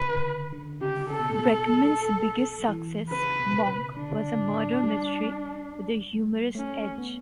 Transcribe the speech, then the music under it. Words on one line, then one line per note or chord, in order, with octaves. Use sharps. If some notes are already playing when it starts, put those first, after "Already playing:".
Breckman's biggest success, "Monk", was a murder-mystery with a humorous edge.
Already playing: C#3 B4
D3
D3
C#3 G4
C#3 A4
B2
A2
B2
E3
C#3 B4
B2
C#3
D3 D4
A2
G3
A3 C#4
B3